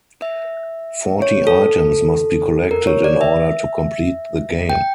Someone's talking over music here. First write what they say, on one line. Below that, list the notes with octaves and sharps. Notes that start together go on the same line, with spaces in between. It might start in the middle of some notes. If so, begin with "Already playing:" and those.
Forty items must be collected in order to complete the game.
E5
C#5
A4
A#4
C#5
D5
E5
G5